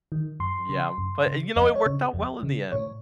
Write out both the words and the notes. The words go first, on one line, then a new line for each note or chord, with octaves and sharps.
Yeah, but you know, it worked out well in the end.
D#3
F#2 C6
C#3
F#2
C#3
F2 D#5
C#5
C#3
F2
C#3
A2 C#5